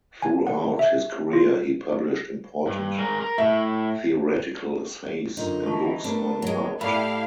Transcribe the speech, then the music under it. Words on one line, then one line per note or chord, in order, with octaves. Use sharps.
Throughout his career he published important theoretical essays and books on art.
G#5
F#5
E5
F4
G2
G#3 A#4
A#4
A2 E5
F#2 D3 D#4 F4 A#4
E3 F#4 A5 C#6
A3 B3 D4 A#4
F#3 G#3
A2 E4 G4 D5 F5 B5